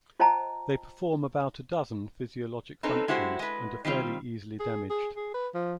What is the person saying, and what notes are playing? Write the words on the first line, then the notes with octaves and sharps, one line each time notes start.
They perform about a dozen physiologic functions and are fairly easily damaged.
F4 C5 D#5 G5 A5 A#5
C4 C#4 D#4 A4 B4
G#3 E4 F#4 G4 C5
G#3 B4
D#3 G3 C4 F4
G#4
G#4
G#4
B4
F3